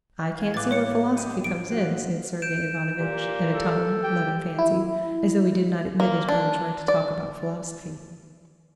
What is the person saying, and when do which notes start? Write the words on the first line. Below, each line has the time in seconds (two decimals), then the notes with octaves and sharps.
"I can't see where philosophy comes in," said Sergey Ivanovitch, in a tone, Levin fancied, as though he did not admit his brother's right to talk about philosophy.
0.34 F5 G#5
0.54 A1 F5 D6 F#6 A6
0.71 C#5 C#7
1.15 D4 G4 D#5
1.44 F3 D7
1.69 F4 F#4 C5
2.42 G6 D7 E7
2.99 A#2 G4
3.53 A4
4.03 G4 G5
4.58 E4
6.00 A#3
6.29 D4
6.88 D5